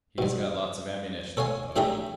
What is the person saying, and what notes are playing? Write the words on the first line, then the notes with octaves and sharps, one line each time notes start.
He's got lots of ammunition on the pony.
G2 B2
A4 C#5 F5 G#5
A2 D4 G4 G#4 E5 A#5